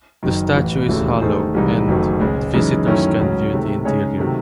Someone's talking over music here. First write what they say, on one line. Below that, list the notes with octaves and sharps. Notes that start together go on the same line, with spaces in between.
The statue is hollow, and visitors can view the interior.
F#1 F#2 D#3
A1 A2 E3
E1 D#2 C#3 E3 A3
D#3 A3 D#4 G#4 C5
C2 C3 E3 G#3 D#4
F#1 F#2 D#3 F#3 A3
C#2 C#3 G#3
F#2 C#3 E3 G#3 D#4
F#2 D#3 A3 C#4 E4
C#2 C#3 F#3 C#4
C3 D#3 A3
C#3 G#3 D#4 G#4 C#5
C3 D#3 F#3 A3